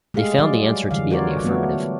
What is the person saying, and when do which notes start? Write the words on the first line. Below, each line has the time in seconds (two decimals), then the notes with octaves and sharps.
They found the answer to be in the affirmative.
0.14 G#3 A3 G4 G#4 F5
0.38 F#3 G3 D5
0.91 D3 E3 G3 F5
1.10 F4 F#4 A#4 C#5 D5
1.44 F#3 G3 A3 B3